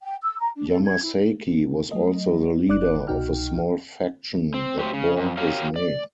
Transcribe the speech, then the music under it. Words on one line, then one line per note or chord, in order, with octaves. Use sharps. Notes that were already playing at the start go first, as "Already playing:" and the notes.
Yamasaki was also the leader of a small faction that bore his name.
G5
E6
A#5
D4
A4
G#6
E4
F#3 A3 D#5
G1 D5 D6 F#6
C2 B2 D#4 F#4 G5 F6
C4
F#3 G4 C5
C#3
F2
F#4 G4 A#4 C#5 F5
D5